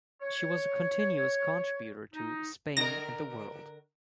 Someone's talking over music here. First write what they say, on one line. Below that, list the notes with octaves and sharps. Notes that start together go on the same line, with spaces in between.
She was a continuous contributor to "Spain and the World".
C#5
D#4
D3 A#4 A#6